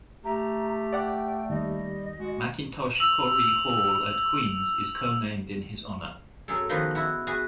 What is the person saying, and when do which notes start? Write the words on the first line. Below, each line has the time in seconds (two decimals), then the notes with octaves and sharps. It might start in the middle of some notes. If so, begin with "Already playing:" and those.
Mackintosh-Corry Hall at Queen's is co-named in his honour.
0.25 A3 G4 A#5
0.93 D5 F#5 G5
1.50 D#2 G3 D#5
2.19 G#3 F#4
2.96 E6 F7 F#7
6.48 F#2 F#3 C#4 G#4 A4
6.69 D#3 F3 B3 F#4
6.95 E4 F#4
7.27 F#4 G#4 B4 G#5